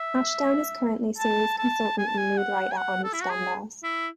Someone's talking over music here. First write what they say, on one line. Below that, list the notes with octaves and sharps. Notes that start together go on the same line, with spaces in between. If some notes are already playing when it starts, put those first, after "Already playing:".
Ashdown is currently series consultant and lead writer on EastEnders.
Already playing: E5
A5
A5
G#5
A5
G#5
F#5
G#5
F#5
A4
E4
F#4
G#4
E4